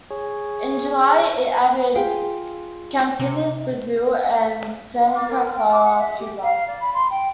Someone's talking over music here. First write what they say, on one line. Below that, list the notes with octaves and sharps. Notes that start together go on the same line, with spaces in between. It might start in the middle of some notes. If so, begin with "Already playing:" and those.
In July, it added Campinas, Brazil; and Santa Clara, Cuba.
G#4 C#5
F4 G4 G#4 F5 G5
C3
D6
A#4
G5
D6
F#5
E5
G4
F5
D5
B5
C6
G5